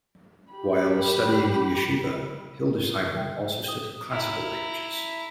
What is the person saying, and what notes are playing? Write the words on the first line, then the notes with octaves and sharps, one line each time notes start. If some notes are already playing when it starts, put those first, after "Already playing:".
While studying in yeshiva Hildesheimer also studied classical languages.
G4 B5
E5 G5
D#6
E4 A#5